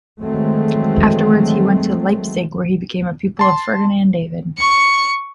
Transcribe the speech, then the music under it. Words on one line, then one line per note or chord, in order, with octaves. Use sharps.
Afterwards he went to Leipzig, where he became a pupil of Ferdinand David.
D#3 E3 F#3 G#3 A3 C4
A5 C6
C#6 C#7